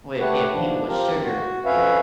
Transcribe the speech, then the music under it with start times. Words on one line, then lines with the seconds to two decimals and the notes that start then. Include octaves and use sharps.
wi if people with sugar,
0.20 A3 G4 B4 C#5 F#5
0.52 D#2 F3 D4
0.88 C4 F4 G4 A#4
1.11 E2 G2
1.24 F#4
1.65 F2 C#4 B4 C#5 E5 F5